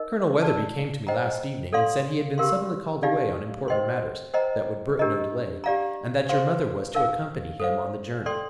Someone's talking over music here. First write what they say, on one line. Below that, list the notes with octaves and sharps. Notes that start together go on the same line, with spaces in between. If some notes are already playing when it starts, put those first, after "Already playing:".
Colonel Weatherby came to me last evening and said he had been suddenly called away on important matters that would brook no delay, and that your mother was to accompany him on the journey.
Already playing: D#4 A#4 D#5
A#4 D5 A5
C5 D#5 G5 A#5
A4 D5 F5 C6
G4 A#4 F5 C6
D#4 G4 D5 F5
C5 D#5 G5 C6
C5 D#5 G5 A#5
D4 G4 A#4 D#5 A#5
G4 D5 F5 A#5
C5 F5 C6
D#4 A#4 F5
A4 C5 F5
A4 D5 G5 C6